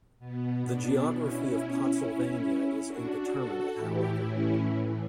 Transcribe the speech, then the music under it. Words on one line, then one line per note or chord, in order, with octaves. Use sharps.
The geography of Pottsylvania is indeterminate, however.
B2 B3
B3 D4
C#4 E4
D4 F#4
F#4 A4
A2 E3 E4 G4
C#4 E4